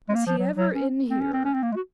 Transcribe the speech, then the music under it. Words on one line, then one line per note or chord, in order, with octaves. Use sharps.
"Was he ever in here?"
G#3
A#3
F3
F#3
F#3
C#4
C4
C#4
C4
C#4
C4
A#3
G#3
F#4